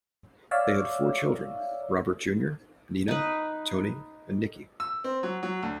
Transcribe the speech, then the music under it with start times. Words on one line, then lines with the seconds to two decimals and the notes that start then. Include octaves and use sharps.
They had four children: Robert Junior Nina, Tony and Nicky.
0.51 C#5 D5 E5 F5 E6
3.08 D#4 B4
4.80 E6
5.04 C4
5.23 F#3
5.43 F#3
5.63 D2